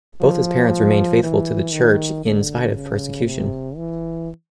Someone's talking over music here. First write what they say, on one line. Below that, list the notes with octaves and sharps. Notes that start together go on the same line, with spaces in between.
Both his parents remained faithful to the Church in spite of persecution.
F3
E3
D#3
D3
C#3
C3
E3